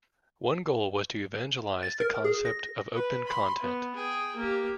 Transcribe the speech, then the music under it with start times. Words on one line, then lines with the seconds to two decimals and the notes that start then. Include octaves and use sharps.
One goal was to evangelize the concept of open content.
1.83 A6
2.00 A#4
2.24 G#4
2.45 A#6
2.95 B4
3.27 B5 C6
3.62 B3
3.95 G#4 G5
4.36 A#3 G4